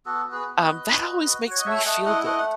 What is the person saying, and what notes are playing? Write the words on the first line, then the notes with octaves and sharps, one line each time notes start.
Um, that always makes me feel good.
B3 F#4 A4
F#4
G#4 B4
B3
B4 D#5
F#4
F#4
F#4
F#4
F#4
C#5
D#5
A3 C#5 E5
G#5
A3 D#5 F#5
E4 D#5 F#5
A3 D#5 F#5
F#5